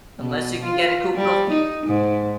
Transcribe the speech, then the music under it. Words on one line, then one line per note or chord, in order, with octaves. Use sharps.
unless you can get a coop real cheap.
B2
F4
G3
D#4
G#2